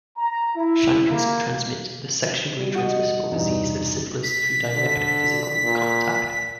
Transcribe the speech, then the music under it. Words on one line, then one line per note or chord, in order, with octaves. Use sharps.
Chancres transmit the sexually transmissible disease of syphilis through direct physical contact.
A#5
E4
A#3
B2 G3
F#4 D#5
E2 G2 D#4
B6
D3
A#2